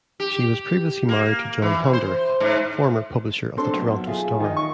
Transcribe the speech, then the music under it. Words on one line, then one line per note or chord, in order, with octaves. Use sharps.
She was previously married to John Honderich, former publisher of the "Toronto Star".
G4
A#3
E3
C5
G#2
C4 D4 A4 C6
B1
F4 G#4 E5 F5
D#3 D#5
C#6